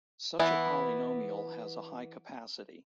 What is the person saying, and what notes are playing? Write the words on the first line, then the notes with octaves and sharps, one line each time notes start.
Such a polynomial has a high capacity.
E3 B3 E4